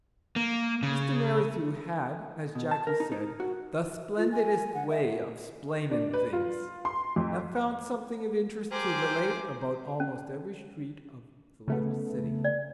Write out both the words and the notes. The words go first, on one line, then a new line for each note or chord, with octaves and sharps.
Mr. Merrithew had, as Jackie said, "the splendidest way of splaining things," and found something of interest to relate about almost every street of the little city.
A#3
C#3
B2
A5
A#4
D#4
D#4
F#4
F4
G#5
F#5
E5
D4
B4
F4
C6
F2
G4 G#4 A#4 C5 D6
C#4
C#3 A3 B3
D5